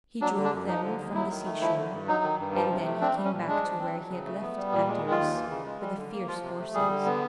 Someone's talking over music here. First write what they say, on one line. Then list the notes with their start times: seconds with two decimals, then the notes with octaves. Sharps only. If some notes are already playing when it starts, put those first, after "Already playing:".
He drove them from the seashore, and then he came back to where he had left Abderus with the fierce horses.
0.21 F#3 D4
0.37 D3
0.44 D4
0.52 F#2
0.68 F3 D#4
0.83 D3
0.99 D#2
1.14 F#3 E4
1.30 D#3
1.46 A3
1.61 F3 E4
1.76 D3
1.92 G2
2.08 F#3 D#4
2.23 D#3
2.39 G2
2.55 F3
2.70 C3
2.85 A3
3.01 C4 D4
3.16 G3
3.25 C#4
3.32 A#2
3.48 G#3 D4
3.64 F3
3.79 C4
3.94 F#3
4.10 C#3
4.25 A3
4.41 B3
4.56 G3
4.72 A#2
4.88 G#3
5.03 D#3
5.11 F4
5.19 D#2
5.34 E3
5.50 C#3
5.66 G#3
5.81 G3
5.96 D3
6.12 A#3
6.28 F3 F4
6.43 C3
6.59 A3
6.74 G3 G#4
6.90 D3
7.06 B3